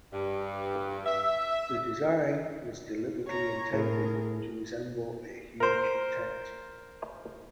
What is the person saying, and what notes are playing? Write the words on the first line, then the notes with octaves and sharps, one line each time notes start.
The design was deliberately intended to resemble a huge tent.
G2
E5
C#5 A#5
A2 G#4 A#4
A#4 C5